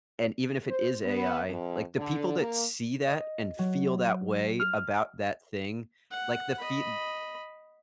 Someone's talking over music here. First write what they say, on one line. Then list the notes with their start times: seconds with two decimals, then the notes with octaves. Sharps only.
and even if it is AI, like, the people that see that, and feel that way about that thing, like, the fee
0.69 C5
1.04 B3
1.49 F2
1.97 D3
2.39 A#3
3.07 D#5
3.59 F#3
4.60 F6
6.11 F#5
6.59 D#5 B5